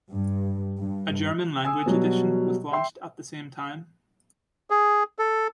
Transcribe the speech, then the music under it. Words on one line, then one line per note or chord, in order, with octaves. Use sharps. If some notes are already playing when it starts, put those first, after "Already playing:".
A German language edition was launched at the same time.
G2
G2
G#5 D#6 E6
B2 F#3 G3
E5 G5 C6
G#4
A4